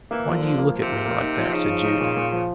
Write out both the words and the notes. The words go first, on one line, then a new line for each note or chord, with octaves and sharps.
"Why do you look at me like that?" said Jude.
E3 A#3
F3
D3
F3
A#3
F3
C3
A#3
A#3
D#4
F3
C#3 D#4
F3
D#4
A#2
A#2
F3